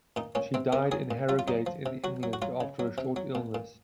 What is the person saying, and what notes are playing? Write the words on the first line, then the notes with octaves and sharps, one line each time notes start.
She died in Harrogate in England after a short illness.
A#2 D#4
A#2 C#4
C3 C4
C3 A#4
F#3 G#4
A#2
F#3 F4
F4
F#3 D#4
F3
C3
F#3 F#4
F#3
F#4
F#3 F4
C#3
F#3
C3
F#3
A#2
A#2